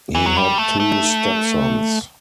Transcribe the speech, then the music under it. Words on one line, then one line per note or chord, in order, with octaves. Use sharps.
He had two stepsons.
E3
F#3
G3
A3
A3